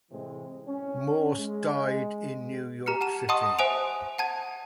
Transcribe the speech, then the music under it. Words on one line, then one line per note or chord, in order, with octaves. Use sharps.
Morse died in New York City.
A2 C3 E3 G#3 C4
C#4
G#3
G4 A#5 F6 C#7
F#5 A5 E7
D#5 F#5 A5 C6 C#6 D#6
C5 E5 G#5 D#6 D7 F7
F#5 A5 G#6